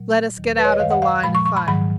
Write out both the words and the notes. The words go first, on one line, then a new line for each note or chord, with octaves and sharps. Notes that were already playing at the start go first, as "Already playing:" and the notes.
"Let us get out of the line of fire."
Already playing: A#2 F#3
D#2 D#3 F#3
B4
C#5
D#5
F#2 D#3 G#3 F5
F#5
F5
A#2 F3 G#3 B5
C#6
C#6
B5
G#2 D#3 F#3 B5